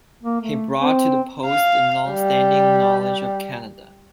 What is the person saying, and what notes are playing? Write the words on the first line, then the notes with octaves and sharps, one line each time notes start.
He brought to the post a longstanding knowledge of Canada.
A#3
A3
C4
F5
G3